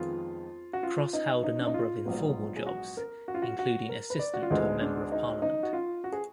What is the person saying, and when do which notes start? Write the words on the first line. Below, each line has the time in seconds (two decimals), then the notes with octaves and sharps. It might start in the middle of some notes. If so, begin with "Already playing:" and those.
Cross held a number of informal jobs including assistant to a member of parliament.
Already playing: F2 D#3 G#3 B3 F4
0.73 F#4
0.83 F4
1.13 D#4
1.44 D#4
1.59 D4
1.67 D#4
1.74 F4
2.05 A#1 G#2 F#3 B3
2.56 G#4
2.66 F#4
2.97 A#4
3.28 F#4
3.34 F4
3.42 F#4
3.59 F#4
3.89 A#4
4.10 B4
4.19 D5
4.34 F#4
4.42 F4
4.50 D2 D3 G#3 B3 D#4
4.81 D4
5.12 D#4
5.42 D#4
5.63 F#4
5.73 F4
6.04 F#4
6.12 G#4